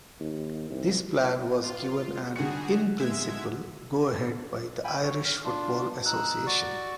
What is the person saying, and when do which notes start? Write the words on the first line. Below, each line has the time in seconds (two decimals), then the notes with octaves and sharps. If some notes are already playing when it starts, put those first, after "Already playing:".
This plan was given an "in principle" go-ahead by the Irish Football Association.
0.20 D#2
0.70 C2
1.64 F4
2.36 D3 G3 F#4 G#4 C#7
3.00 G#3 E5 G#6
4.84 G5 G#5 B5
5.04 C#5
5.25 F6
5.44 D4 F4
6.06 D#4 E6 F#6
6.47 F#4 D5 C#6